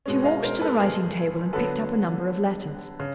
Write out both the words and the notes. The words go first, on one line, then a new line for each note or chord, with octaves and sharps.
She walked to the writing-table and picked up a number of letters.
B2 G#3 C#4
D#5 F5
A#4 C5
A4 B4
G#4 A#4
D3 F#3 B3 A4 B4
C#3